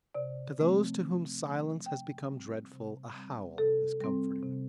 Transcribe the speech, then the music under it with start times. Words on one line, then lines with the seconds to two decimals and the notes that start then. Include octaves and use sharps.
To those to whom silence has become dreadful a howl is comforting.
0.15 C3 D5
0.58 F3 A3 C4
1.01 C3
1.44 F3 A3 C4
1.86 C3 G5
2.29 G3 C4
2.73 C3
3.15 G3 C4
3.58 C3 A4
4.01 G3 C4
4.43 C3